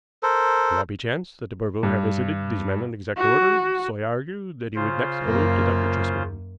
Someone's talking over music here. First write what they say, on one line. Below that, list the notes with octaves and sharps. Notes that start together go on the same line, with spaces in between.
It could not be chance that the burglar had visited these men in exact order, so I argued that he would next go to Dr. Tresman.
A4 A#4 C5
G2
F#4
C#3 F4 C5
F#2 A#3